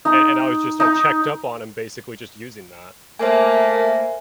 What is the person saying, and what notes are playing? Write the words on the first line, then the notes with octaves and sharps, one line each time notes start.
and and I was just I checked up on him basically just using that
D#4
D#4
A3 A#3 C5 E5 G#5